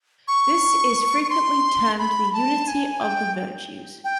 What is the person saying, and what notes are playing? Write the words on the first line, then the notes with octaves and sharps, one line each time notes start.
This is frequently termed the Unity of the Virtues.
C#6
C#6
C6
B5
A5
G#5
G5
G5